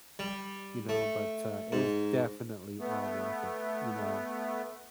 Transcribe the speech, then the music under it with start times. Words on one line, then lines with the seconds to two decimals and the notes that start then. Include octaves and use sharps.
you know, but, uh, it was definitely all worth it, you know.
0.19 G3
0.89 A3
1.72 G#2
2.80 A3 B3